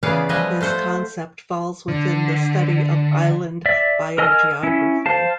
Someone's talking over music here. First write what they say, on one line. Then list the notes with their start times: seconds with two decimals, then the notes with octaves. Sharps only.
This concept falls within the study of island biogeography.
0.03 C#3 E3 B3 G#4 D5 F5
0.29 F3 G3 B4 D#5 E5 G#5
0.61 A3 F4 C5 F#5
1.88 D3
3.66 D5 E5
4.18 A#4 D#5 G#5 E6 F6
4.63 C#4 E4
5.06 C5 F5 A5